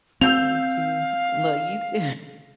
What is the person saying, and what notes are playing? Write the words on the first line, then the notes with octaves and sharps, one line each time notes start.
You too? Well, you too.
C4 F5 E6 G6 F7